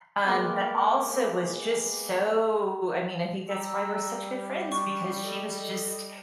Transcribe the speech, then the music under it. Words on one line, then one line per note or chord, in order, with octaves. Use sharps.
um, but also was just so I mean, I think that's why we're such good friends because she was just
G#3 A#3 B3 G4
G3 A#5 E6
C#4 D4 C#6
A4 D#5